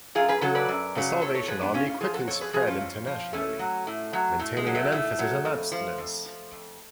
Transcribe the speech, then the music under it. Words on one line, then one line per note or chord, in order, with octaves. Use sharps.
The Salvation Army quickly spread internationally, maintaining an emphasis on abstinence.
F#2 F4 G#4
G#4 B4
C#3 F#3 A4 C#5
B4 D5
F#2
C#3 F#3
A2 A4 C#5
A4 C#5
F3 G#4 B4
B3 D4
A2 C#4 F4
C#4 F4
F3 F4 G#4
F#4 A4
F2 A4 C#5
G#4 B4
F3 F4 G#4
C#4 F4
F2
F3
A2 A3 C#4
F#3
A2
F#3
A2
G#3
F#3
A3
A2 A3
F#3
F2
F3
F2
F3
F2